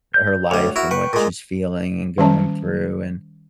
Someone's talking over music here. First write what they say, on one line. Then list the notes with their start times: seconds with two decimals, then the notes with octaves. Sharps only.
her life and what she's feeling and going through, and
0.14 G6
0.51 D2 G3 C#5 F#5
0.76 E4 F#4 A#4
0.91 B4 F#5 G5 C#6
1.13 A#2 G#3
2.18 D#3 G3 C#4 A5